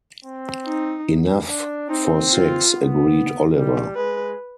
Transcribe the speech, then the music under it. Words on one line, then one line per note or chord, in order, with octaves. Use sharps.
"Enough for six," agreed Oliver.
C4
D#4
D4
C4 D#4
F4
B3
G3
G#3 B4